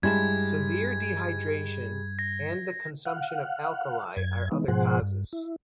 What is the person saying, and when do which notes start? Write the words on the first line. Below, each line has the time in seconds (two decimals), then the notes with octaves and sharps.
Severe dehydration, and the consumption of alkali are other causes.
0.03 G2 G3 G#3 E4 A5 G#6
2.19 A#6
3.05 F5 F#5
4.17 F#2 G#6
4.52 E3 G#3 B3 D#4
4.68 G#2 B2 F3 G#4 C5 F#5
5.02 G2
5.33 E4